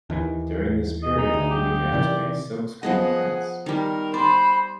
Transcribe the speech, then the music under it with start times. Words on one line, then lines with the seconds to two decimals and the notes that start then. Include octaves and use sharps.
During this period he began to make silkscreen prints.
0.10 D#2 D#3 E3
1.03 G#4 D#5
1.18 D#4
1.34 D2
1.51 G4
1.93 C3 D#3 E3 D5
2.83 F3 B3 G#4 D#5 F#5
3.66 D#3 G3 A#4
4.14 C5 D5 B5